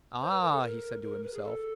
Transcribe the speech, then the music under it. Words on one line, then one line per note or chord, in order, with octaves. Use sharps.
'Ah!' he said to himself.
C5
B4
A#4
A4
A#4
A#4
B4
G#4
A4